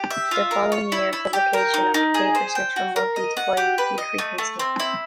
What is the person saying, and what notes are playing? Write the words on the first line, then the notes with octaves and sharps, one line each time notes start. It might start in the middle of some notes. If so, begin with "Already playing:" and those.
The following year, publication of the paper switched from monthly to bi-weekly frequency.
Already playing: G4
E5
F4
A#4
C#5
E4
E4
G4
A#4
D#4
D#4
G#4
C5
G5
F#4
A#4
D#5
F#5
G4
B4
D#5
A3
A3
C4
E4